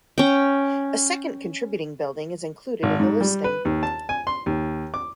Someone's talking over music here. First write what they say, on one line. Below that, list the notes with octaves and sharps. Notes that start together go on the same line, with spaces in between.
A second contributing building is included in the listing.
C#4 G5
G#1
G#2
G3
B4
D#2
A5
G#5
C6
D#2
D6